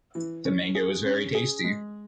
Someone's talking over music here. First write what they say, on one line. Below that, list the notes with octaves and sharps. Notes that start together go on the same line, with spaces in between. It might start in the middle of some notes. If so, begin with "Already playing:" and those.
The mango was very tasty.
E3
C#4
G#4
C#4
G#4
G#3